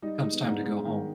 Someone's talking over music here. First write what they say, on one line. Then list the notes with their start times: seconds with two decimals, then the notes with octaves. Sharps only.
it comes time to go home.
0.02 G3 D#4
0.18 G#3 D#4
0.33 B3
0.44 G#2
0.50 D4
0.64 G#2 G#4
0.85 D#3